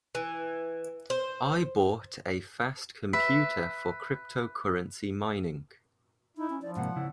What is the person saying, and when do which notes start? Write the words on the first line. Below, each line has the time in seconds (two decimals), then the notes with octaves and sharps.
I bought a fast computer for cryptocurrency mining.
0.15 E3
1.10 C5
3.13 B4 E5
6.37 D#4 E4
6.50 C#4
6.62 F3 D5
6.76 G#2 C3 A#3 F#5
6.96 C#3 E4